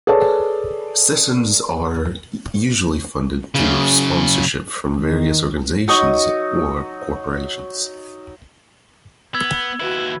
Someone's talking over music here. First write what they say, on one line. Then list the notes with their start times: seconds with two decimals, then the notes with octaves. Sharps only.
Sessions are usually funded through sponsorship from various organisations or corporations.
0.07 G#4 A4 B4 C#5 D5 A5
3.55 F#2 C#3
4.96 D#3
5.88 F#3 D#4 C#6 D#6
9.35 B3 E6 G#6
9.80 D#2 E4 F#4 B4